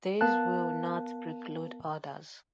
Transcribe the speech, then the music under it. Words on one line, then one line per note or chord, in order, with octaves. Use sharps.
This will not preclude others.
B3 A#4 F5 A5 F#6